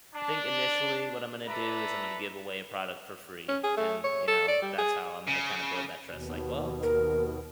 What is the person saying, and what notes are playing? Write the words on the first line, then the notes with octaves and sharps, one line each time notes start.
I think initially what I'm gonna do is I'm gonna give away a product for free and, you know, that's how I'm gonna kinda build that trust, like, "Well,
D4
A4 B4 D5 E5 A#5
C#4
G#4
A3
C#5
A4
D5
G3
G#4
C#3
D#2 B2
A#4